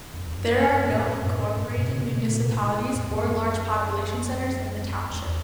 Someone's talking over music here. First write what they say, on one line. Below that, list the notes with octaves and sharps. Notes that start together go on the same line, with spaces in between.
There are no incorporated municipalities or large population centers in the township.
E2
F#2
F#2
A2
F#2
A2
G#2
F#2
B2
C#3
B2
A2
B2
A2
E2
F#2
E2